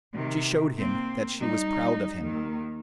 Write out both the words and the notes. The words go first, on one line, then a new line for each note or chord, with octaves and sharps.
She showed him that she was proud of him.
C3 D#3
A#3 C4
G3 D#4
D#2 D#3